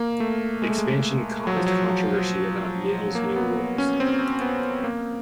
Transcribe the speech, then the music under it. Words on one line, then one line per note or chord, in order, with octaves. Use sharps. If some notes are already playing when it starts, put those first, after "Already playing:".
Expansion caused controversy about Yale's new roles.
Already playing: A#3
A3
G#3
A3
G#3
F#3
F3
F#3
A#3
B3
C#4
C4
B3
A#3